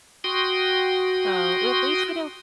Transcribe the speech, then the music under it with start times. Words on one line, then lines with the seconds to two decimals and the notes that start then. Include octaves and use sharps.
Oh, at least we don't
0.24 F#4 G5 C6 D#6